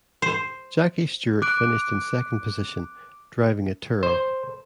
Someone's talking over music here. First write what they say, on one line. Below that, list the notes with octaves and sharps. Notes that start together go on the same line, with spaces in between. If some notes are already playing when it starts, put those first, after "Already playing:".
Jackie Stewart finished in second position, driving a Tyrrell.
C5
D6 F#6 D7
C5